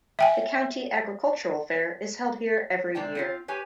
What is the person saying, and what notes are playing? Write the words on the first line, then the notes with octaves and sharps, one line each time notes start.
The county agricultural fair is held here every year.
E5 G5 G#5
C3 G#3 D5 G5 A5
C4 E4 F4
G4 B4 C#5 G#5